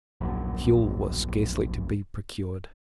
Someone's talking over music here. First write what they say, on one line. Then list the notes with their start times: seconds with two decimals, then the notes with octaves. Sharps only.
Fuel was scarcely to be procured.
0.21 D1 A#1 F#2